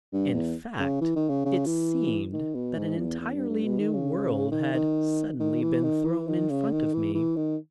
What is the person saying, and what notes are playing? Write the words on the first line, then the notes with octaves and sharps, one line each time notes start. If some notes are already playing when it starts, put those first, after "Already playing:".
In fact it seemed that an entirely new world had suddenly been thrown in front of me.
G2
E2
C#3
E3
D#3
C#3
C#3
E3
D#3
B2
G#2
E2
E2
G2
G2
B2
D#3
C#3
D#3
D#3
D#3
E3
D#3
E3
D#3
C#3
D#3
E3
E3
D#3